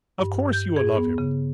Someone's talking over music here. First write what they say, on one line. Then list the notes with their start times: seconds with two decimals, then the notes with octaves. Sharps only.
Of course, you will love him.
0.19 G2
0.53 G6
0.76 G#4
0.96 B3
1.18 C#3